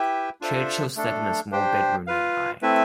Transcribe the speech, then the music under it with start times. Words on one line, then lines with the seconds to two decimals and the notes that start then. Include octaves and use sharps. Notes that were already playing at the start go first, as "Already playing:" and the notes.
Churchill slept in a small bedroom nearby.
Already playing: E4 G4 B4 E5 G5
0.41 D4 F4 A4 C5 E5
0.96 A3 D4 A4
1.52 D4 G4 C5 G5
2.07 F4 B4 F5
2.62 A3 C4 E4 B4 E5